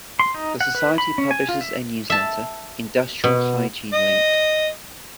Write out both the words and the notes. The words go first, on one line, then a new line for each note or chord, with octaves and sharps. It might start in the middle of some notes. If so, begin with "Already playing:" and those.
The society publishes a newsletter "Industrial Hygiene Link".
C6
D#4
F#5
B4
B5
C#4
G#5
F4
E5
E5 A5
B2
D#5